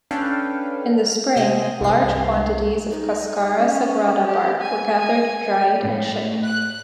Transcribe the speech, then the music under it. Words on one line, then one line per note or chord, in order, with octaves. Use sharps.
In the spring, large quantities of Cascara Sagrada bark were gathered, dried, and shipped.
C#4 D4 A4 B4 F5 G5
C3 C5 D#5 G#5
C2 G2 C7
D#4
C#4
G4
G#5
G#5
A2
F#6